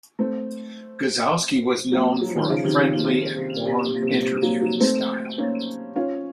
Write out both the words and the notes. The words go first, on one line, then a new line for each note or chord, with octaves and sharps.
Gzowski was known for a friendly and warm interviewing style.
A3 C4
F#3 A#3
F#3
F3
D#3 F#3
C#3 F3
C3 D#3
C3
A#2
C3
C3
C3
C3
A#2
C3
A#2
C3
F#3 A#3
F#3 A#3
A3 C4
A#3 C#4
C#4 F4